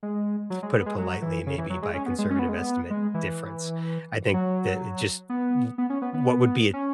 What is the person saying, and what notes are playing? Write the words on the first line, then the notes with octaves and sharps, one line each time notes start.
to put it politely, maybe by conservative estimate, difference, I think that it just w what would be a
G#3
F#3
G#3
B3
G#3
F#3
E3
C#3
E3
F#3
G#3
C#4
B3
G#3
C#4
B3
G#3
B3
G#3
E3
F#3
B3
B3
C#4
B3
B3
C#4